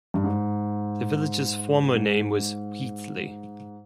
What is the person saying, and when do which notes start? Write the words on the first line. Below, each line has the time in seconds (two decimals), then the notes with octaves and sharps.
The village's former name was Wheatley.
0.14 G2
0.24 G#2
1.94 G#2